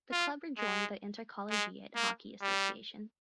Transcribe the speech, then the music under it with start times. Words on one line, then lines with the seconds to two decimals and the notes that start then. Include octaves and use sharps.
The club rejoined the Intercollegiate Hockey Association.
0.12 F4
0.58 G#3
1.50 G#3
1.95 A#3
2.41 G3